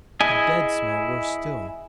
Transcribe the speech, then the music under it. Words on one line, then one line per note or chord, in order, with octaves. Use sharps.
The dead smell worse still!
E4 G#4 D#5 G#5